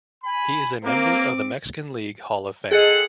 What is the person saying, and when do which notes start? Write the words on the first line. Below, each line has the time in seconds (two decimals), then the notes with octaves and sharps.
He is a member of the Mexican League Hall of Fame.
0.24 G#5 B5
0.83 A#3 C4 D6
2.71 C4 G#4 A4 D#5 F#5